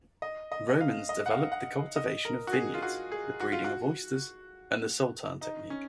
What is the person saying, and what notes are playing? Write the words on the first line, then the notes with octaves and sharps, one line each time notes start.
Romans developed the cultivation of vineyards, the breeding of oysters and the saltern technique.
D#5
D#5
D#5
F5
D#5
F#5
F5
F#5
D#5
A#4
F#4
G#4
F4
F#4
G#4
F#4
F4
F#4
D#4
C#4